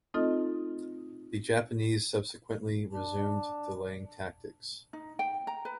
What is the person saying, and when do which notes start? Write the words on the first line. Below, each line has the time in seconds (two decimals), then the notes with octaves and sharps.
The Japanese subsequently resumed delaying tactics.
0.14 A3 C4 D#4 F4 A4 D#5
2.92 D4
4.93 D#4
5.19 G5
5.47 A#5
5.65 B4